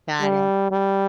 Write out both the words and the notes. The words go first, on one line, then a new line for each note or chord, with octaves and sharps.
Got it.
G3
G3